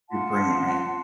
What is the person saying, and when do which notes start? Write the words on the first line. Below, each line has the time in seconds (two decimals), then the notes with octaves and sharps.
your brain, right?
0.09 F4 F#5 A5 C6